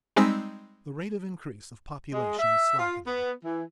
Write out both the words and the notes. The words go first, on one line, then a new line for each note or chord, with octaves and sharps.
The rate of increase of population is slackening.
G3 G#3 C4 D#4 E6 B6
G#3
E5
F4
B3
E3